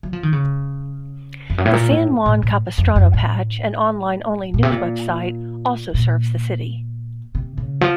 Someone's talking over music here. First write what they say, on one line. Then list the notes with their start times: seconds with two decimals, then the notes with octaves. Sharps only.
"The San Juan Capistrano Patch", an online only news website, also serves the city.
0.03 F#3
0.13 F3
0.23 D#3
0.33 C#3
1.50 F2
1.58 F#2
1.65 A2
1.73 A#2
1.91 A2
2.26 A2
2.43 A2
2.78 F2
2.96 F#2
3.14 A2
4.54 A#2
4.63 C3
4.72 A#2
5.94 A#2
7.35 C3
7.58 C#3
7.81 F3